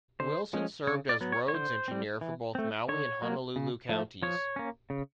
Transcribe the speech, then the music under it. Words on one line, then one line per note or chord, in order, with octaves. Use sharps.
Wilson served as roads engineer for both Maui and Honolulu counties.
D3 C5
F3 G#3 C#4
C#3 C#5
D5
F#3 B3
C#5
C#5
D3 C5
G3 C4
E3
A3 C4
D3 C#5
F#3 A#3
C#3
F3 A3
F3 C#5
A#3 C#4
C#3